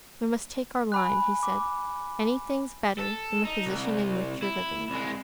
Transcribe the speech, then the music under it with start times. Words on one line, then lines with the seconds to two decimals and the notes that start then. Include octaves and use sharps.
We must take our line," he said. "Anything's better than the position in which you're living.
0.92 G#5 B5 F#6
1.43 D6
2.99 A4
3.45 D#4
3.66 C2
4.42 E4
4.90 C2 G#3